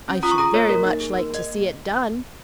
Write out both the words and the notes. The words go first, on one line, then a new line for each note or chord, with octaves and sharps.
'I should very much like to see it done.
C#4
F4 A#5 D#6
C#6
G#4 A#5 D#6
A#3 C#5
A#3 A#4
D#4
G#4
A#3
A#3 D#5